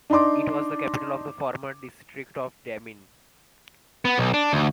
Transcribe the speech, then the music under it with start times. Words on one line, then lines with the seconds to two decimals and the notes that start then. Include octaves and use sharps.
It was the capital of the former district of Demmin.
0.10 D4 D#4 D5 C6 D6
4.05 B3
4.18 B1
4.34 D4
4.53 D2